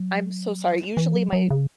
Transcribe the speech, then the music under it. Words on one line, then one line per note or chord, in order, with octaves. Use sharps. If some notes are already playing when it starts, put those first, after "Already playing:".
I'm so sorry, usually my
Already playing: F#3
E3
F#3
F#3
C#3